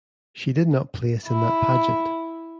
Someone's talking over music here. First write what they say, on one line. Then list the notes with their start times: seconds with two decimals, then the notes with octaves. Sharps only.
She did not place in that pageant.
1.26 E4